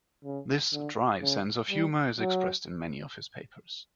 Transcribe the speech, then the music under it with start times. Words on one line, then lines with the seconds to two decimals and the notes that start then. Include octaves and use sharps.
This dry sense of humour is expressed in many of his papers.
0.24 C#3
0.73 D3
1.21 C#3
1.70 G3
2.19 F#3